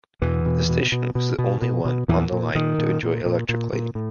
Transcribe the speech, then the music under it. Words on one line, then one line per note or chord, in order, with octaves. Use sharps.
The station was the only one on the line to enjoy electric lighting.
E2 B2 E3
B2
B2
B2
B2
B2
B2
B2
E2 A#2 E3
A#2
A#2 D#3
A#2
A#2
A#2
A#2
A#2
A2